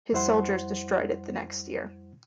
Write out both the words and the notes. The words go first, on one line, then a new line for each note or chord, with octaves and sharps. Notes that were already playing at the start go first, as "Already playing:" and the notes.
His soldiers destroyed it the next year.
F2 G3 E4 C5 F#5 C6